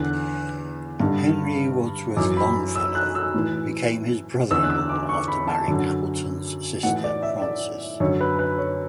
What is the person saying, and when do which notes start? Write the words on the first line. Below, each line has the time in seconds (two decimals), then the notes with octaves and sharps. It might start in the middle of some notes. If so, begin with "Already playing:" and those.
Henry Wadsworth Longfellow became his brother-in-law after marrying Appleton's sister Frances.
Already playing: E2 D3 F#6
1.00 G2 D3
2.17 F#2 E3 D6
2.37 B5
2.75 E6
2.95 F#6
3.15 E6
3.34 A2 E3
4.51 E2 D3 E6
4.63 F#6
4.70 E6
4.89 D6
5.09 C#6
5.28 B5
5.47 A5
5.68 F#2 D3
6.83 A2 E3 F#5
7.04 D5
7.23 E5
7.42 D5
8.00 F#2 D3 C#5
8.21 B4
8.39 B4
8.58 C#5